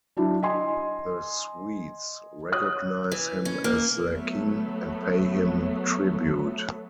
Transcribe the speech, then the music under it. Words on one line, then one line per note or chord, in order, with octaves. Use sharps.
The Swedes recognize him as their king, and pay him tribute.
F#3 D4 E4
D#5 G#5 C6
C#5 D#6 F#6
E3
C#4
A#3
F#3 A3 B3